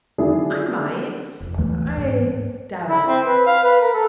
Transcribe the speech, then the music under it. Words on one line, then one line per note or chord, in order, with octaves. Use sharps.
'I might--I--doubt it.
D3 D#3 F#3 D4 E4 G#4
F1
D#2 E3 A3
G#2
E4
C4
B4
F5
B4
A#4
A4